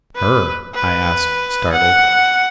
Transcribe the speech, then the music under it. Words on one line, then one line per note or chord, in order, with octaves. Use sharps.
"Her?" I asked, startled.
B4
B4
F#5